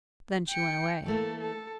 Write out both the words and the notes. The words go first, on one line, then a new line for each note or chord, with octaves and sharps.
Then she went away.
G5 C#7
E3 A3 A#3 A4
A4